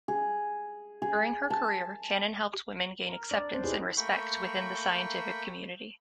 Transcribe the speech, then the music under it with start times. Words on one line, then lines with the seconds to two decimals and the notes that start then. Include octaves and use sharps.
During her career, Cannon helped women gain acceptance and respect within the scientific community.
0.08 G#4
1.02 G#4
1.50 A5
3.07 A#4
3.31 D4 D5
3.53 C4 C#4 C5
3.64 D#4 E4 G4 G#4 B4
3.97 A3 A#3 G5 B5 C#6